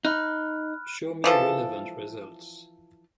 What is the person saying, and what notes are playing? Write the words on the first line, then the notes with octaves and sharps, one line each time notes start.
Show me relevant results.
D#4 B5 F6 F#6
E3 F3 A4